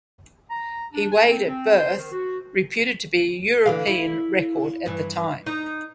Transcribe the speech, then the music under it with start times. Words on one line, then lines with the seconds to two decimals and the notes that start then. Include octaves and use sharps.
He weighed at birth, reputed to be a European record at the time.
0.51 A#5
0.94 D4
1.12 G#5
1.30 C4
1.46 C4
1.78 C5
1.99 D#3
2.12 F#4
3.66 D3 E3 F5
3.87 E4
4.86 G2 E3
5.46 D#4